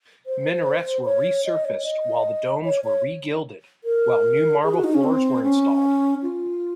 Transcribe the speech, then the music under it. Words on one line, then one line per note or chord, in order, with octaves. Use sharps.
Minarets were resurfaced while the domes were re-gilded, while new marble floors were installed.
C5
C#5
D#5
C#5
D#5
C#5
C#5
A#4
G#4
F#4
D#4
C#4
C4
C#4
F4